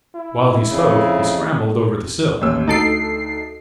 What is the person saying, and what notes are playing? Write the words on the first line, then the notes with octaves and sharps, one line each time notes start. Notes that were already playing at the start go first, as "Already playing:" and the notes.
While he spoke, he scrambled over the sill.
E4
F2 C#3
A1 D#2 E6
D2 D#4 A4 C7 D7